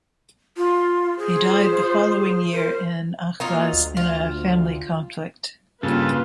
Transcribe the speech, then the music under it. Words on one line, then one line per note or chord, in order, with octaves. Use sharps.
He died the following year in Ahvaz in a family conflict.
F4
F4 G#4 C5
A#4 C5
F#3 A#3 D#4 F4
D2
F4
G2 C#3 A#3 F4 A4 B4